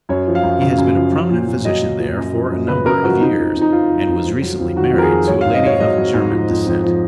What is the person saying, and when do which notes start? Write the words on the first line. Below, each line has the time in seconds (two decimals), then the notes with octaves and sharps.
He has been a prominent physician there for a number of years, and was recently married to a lady of German descent.
0.09 F#2 C#5
0.27 F3
0.35 F5
0.43 F#2
0.61 C#3 F5
0.78 F#2
0.95 F3
1.12 F#3
1.31 A#2
1.47 A#2
1.65 F#3 D#5
1.82 F#3
1.99 A#2
2.17 F#2
2.35 F3
2.51 F#2
2.68 C#3 B4
2.86 F#2 A#4
3.03 F3 F#4
3.21 F3 D#4
3.38 F2
3.56 F2
3.62 D#4
3.72 F3 F4
3.89 F3
4.07 F2
4.24 F2
4.42 F#3
4.59 F2
4.76 D#3 F#4
4.93 F2 A#4
5.02 G#4
5.11 F#3
5.27 F#3 C#5
5.41 G#2 F5
5.54 D#5
5.62 G#2 C#5
5.80 F#3 D#5
5.98 F#3
6.14 G#2
6.32 F3
6.49 F2
6.66 F2
6.83 F3